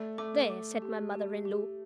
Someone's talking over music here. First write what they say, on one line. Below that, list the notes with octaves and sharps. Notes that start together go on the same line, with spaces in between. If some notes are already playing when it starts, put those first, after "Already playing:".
"There!" said my mother-in-law.
Already playing: A3 D5
A3 D6
D6
G4
G4
G4